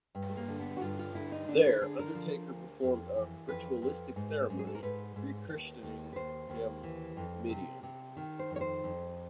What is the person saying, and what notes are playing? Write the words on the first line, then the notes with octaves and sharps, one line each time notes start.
There Undertaker performed a ritualistic ceremony, rechristening him Mideon.
G2
A3
A#3
D3
B3
F#4
G2 F4
F4
D3 E4
D#4
D3 D4
E4
D3 G#4
A#4
F3
D2
F2
E3
F2 B4
F2
G#2
G#2
G#4
A4
A#4
G#2 B4
G#2
D#2
D#2
B4
D#2 C5
D#2
E3
F2
C3
C3
D#3
C5
F2
C#5
C5
F2